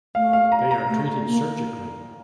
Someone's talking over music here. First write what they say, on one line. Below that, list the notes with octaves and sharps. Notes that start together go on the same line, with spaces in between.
They are treated surgically.
A3 F5
F5
A#5
A#5
A3
A#3